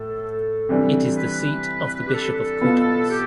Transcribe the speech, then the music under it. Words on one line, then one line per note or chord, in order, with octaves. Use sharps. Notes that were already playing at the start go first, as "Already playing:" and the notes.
It is the seat of the Bishop of Coutances.
Already playing: A2 A4
C3 E3 G3 D4
B4
G4
A4
B2 B3 F4 B4 F5
G4